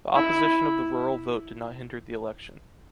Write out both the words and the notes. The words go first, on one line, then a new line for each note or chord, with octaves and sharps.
The opposition of the rural vote did not hinder the election.
E4